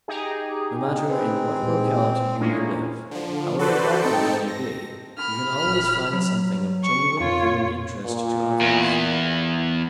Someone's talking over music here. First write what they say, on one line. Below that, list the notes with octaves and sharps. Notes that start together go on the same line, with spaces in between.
No matter in what locality you may live, however backward it may be, you can always find something of genuine human interest to others.
D#4 G4 G#4
C4 B4
A#2 G#3 C5
G#3 A#3 C#4 D4 E4 F4
D3 F3
F#4 A4 B4 C5 D5
C4 D#4 A4 G5 A5 C#7
A#6
B5 F6
D#1
F#3
C#6
F2 F4 C#5
A#2
E2